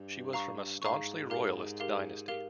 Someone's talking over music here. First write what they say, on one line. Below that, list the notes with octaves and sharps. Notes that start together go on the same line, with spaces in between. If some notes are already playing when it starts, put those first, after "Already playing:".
She was from a staunchly Royalist dynasty.
Already playing: G2
F5 A#5 C#6
G#2 F5 A#5 C#6
G4 A#4 F5
G4 A#4 F5
G4 A#4 F5